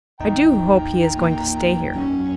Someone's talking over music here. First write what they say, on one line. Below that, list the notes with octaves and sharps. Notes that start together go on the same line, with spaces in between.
I do hope he is going to stay here.
A1 E2 D#4 G5 A#5
A#2 A#3
F#2 C#4